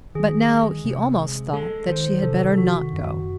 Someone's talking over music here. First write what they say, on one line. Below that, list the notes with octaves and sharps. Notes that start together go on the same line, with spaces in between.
But now he almost thought that she had better not go.
D#3 G#4
G#3
C3
G#3
G#3 A4
D#3 C5
C3 A4
D#3 F#4
F#2